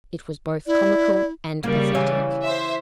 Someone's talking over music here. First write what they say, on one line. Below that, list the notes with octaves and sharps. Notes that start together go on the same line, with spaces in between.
It was both comical and pathetic.
E4 D5
C#3 G3 A#3
E3 C#5 F5 G#5
C5 E5